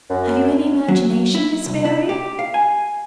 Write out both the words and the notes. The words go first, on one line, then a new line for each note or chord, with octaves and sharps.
Have you any imagination, Miss Barry?
F#2
F#3
E4
C2
E4
G4
F5
G#5